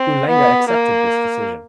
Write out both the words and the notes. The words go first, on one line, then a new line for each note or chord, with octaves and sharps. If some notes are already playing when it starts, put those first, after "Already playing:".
Ulenga accepted this decision.
Already playing: C4
B3
A#3